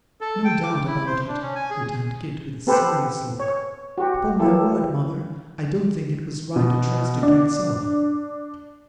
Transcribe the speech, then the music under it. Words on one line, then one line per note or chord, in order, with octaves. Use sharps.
'No doubt about it,' returned Kit, with a serious look; 'upon my word, mother, I don't think it was right to trust it to itself.
A4
G5
D6
E4
C5
D4
C#4
G#5
G#4
B3 C4 G4 A4 B4 C5
C#5
F#4 G4
E3 F#3 A#3 E4 G4 A4
B2
D4